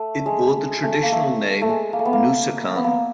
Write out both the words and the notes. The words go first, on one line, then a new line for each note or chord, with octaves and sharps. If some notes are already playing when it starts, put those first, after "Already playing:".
It bore the traditional name "Nusakan".
Already playing: A3
G#3
A3
A3
A#3
A3
A3
G#3
A#3
A3
B3
A#3
A#3
B3
A#3